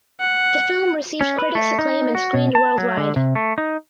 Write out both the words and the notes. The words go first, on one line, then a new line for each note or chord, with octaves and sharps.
The film received critics acclaim and screened worldwide.
F#5
C#4
B4
A3
D#4
F#4
B2
A5
F#3
D3
C3
A3
D#4